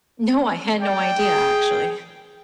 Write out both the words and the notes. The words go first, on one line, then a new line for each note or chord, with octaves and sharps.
No, I had no idea, actually.
D5 G5
G#4